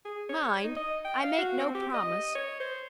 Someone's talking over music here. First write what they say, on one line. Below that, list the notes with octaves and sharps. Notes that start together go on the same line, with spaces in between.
Mind, I make no promise!
G#4
C#5
D#4
D#5
G5
F5
F#4
C4
G4
D#5
C#5
C5